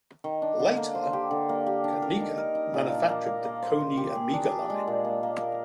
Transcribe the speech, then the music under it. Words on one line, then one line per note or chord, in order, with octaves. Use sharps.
Later, Konica manufactured the Koni Omega line.
D#3
D4
D3
A#3
C5
G4
D3
A#3
G4
D4
A#4
D#4
A#4
D#4
A#2
D4
A#3
A#4
A#3
C5
C5
G4
G#4
D4
D4
G#3
A#2
A#3
A#3
A#4